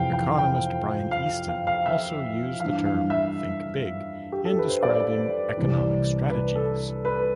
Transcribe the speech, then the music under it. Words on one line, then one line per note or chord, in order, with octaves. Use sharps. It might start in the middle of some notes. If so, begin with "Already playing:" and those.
Economist Brian Easton also used the term "think big" in describing economic strategies.
Already playing: F2 C3 E3 F5 G5
G5
G5
F5
F5
F5
E5
E3 F5
G2
F5
E5
G4
A4
B4
C5
D5
C2 C3 E3
B4
A4
B4